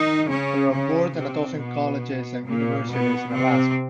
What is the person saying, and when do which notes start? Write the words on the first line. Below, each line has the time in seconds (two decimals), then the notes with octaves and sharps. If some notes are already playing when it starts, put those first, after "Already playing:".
There are more than a dozen colleges and universities in Alaska.
Already playing: D#3 D#4
0.29 C#3 C#4
0.73 C#3 C#4
1.17 C3 C4
1.59 B2 B3
2.46 A#2 A#3
2.90 B2 B3
3.33 C3 C4